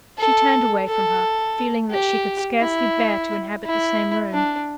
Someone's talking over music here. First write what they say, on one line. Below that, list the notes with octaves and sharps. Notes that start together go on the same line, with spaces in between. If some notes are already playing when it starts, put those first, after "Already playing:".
She turned away from her, feeling that she could scarcely bear to inhabit the same room.
A4
A4
G4
E4
E4
D4